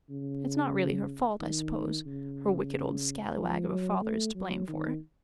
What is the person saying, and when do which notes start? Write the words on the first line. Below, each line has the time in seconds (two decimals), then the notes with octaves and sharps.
It's not really her fault, I suppose--her wicked old scalawag of a father is to blame for it.
0.10 C#3
1.40 D#3
2.06 C#3
3.37 F3
3.69 F#3
4.02 A3
4.35 F#3
4.68 D#3